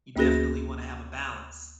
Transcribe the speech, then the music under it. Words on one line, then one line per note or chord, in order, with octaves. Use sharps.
you definitely wanna have a balance.
D2 A#3 C#4 F#4 G#4 A#6